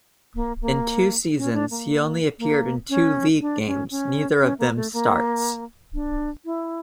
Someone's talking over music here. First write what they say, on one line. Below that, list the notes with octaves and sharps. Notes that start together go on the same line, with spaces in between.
In two seasons, he only appeared in two league games, neither of them starts.
A#3
A#3
C#4
D4
A#3
A#3
C#4
D4
C#4
C#4
C#4
A#3
A3
A#3
D4
E4